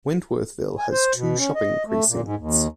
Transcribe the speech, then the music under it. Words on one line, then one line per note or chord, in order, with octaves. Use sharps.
Wentworthville has two shopping precincts.
G#5
C5
B2
C#4
D#5
A3
A#2
G#2
D#2